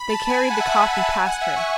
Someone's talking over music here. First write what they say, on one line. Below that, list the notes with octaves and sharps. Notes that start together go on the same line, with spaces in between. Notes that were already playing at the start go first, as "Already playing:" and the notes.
They carried the coffin past her.
Already playing: B5
A5
G#5
F#5
E5
F#5
G#5
A5
G#5
F#5
E5
C#6